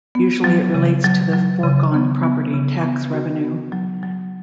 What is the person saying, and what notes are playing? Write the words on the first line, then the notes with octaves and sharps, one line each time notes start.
Usually it relates to the foregone property tax revenue.
B3
F#3
C#3
F#3
F#3
C#3
B3
B3
C#3
B3
F#4
B3
F#3
F#3